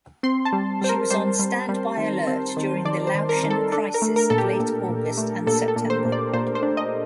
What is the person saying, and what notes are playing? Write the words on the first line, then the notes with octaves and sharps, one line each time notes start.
She was on standby alert during the Laotian crisis of late August and September.
C4 C6
A5
G3
G3 C5
A#4
G3 C5
G3
G3
D#3
C4
D#3
D#3 D5
C5
D#3
A#4
D#3
A4
D4 A4
A#4
A3
A#4
A#2 A4
G4
A#2
A#2
A3
A#2 A4
A4
A#2
C5
A#2
D5
A#2 C5
C5
D4
D#5